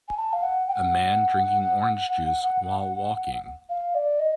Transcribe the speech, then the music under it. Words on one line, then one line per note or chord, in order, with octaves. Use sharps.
A man drinking orange juice while walking.
G#5
A5
F5
F#5
G5
F#5
F5
D5
D#5